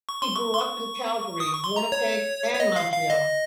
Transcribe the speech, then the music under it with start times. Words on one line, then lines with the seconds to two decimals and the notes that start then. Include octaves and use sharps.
He grew up in Calgary, Winnipeg, and Montreal.
0.09 C#6
0.22 C6
0.35 C#6
0.54 C6
0.59 C#6
1.40 D#6
1.53 C#6
1.64 C6
1.76 A#5
1.92 C#5
2.54 C#5
2.60 D#5
2.76 F5
2.93 F5
3.10 D#5